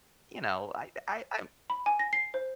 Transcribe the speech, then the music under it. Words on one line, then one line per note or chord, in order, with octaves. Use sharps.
you know, I I I'm
B5
G#5
A#6
C7
C5